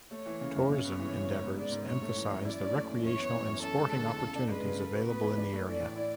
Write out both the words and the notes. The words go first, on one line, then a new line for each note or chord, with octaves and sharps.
Tourism endeavours emphasise the recreational and sporting opportunities available in the area.
A3 C#5
E3
C#3
F#2
C#3 C#5
B3
E3
C#3
G#2
B3
G#3 D5
G#2
F#2 C#5
A3
E3
F#2
E4 D5
C#4
A3
E3
F#2 C#5
B3
E3
F#2
C#4 A4
G#3
D3
E2
C#3
D4
G#3 B4
C#3
A4
F#4
B3 B4
E3
D4
A3
E3 D5
A2
E4